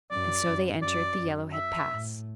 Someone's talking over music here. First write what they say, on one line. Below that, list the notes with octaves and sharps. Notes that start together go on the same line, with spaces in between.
And so they entered the Yellowhead Pass.
F#2 D5
F#2
F#2 D5
F#2
E5
A2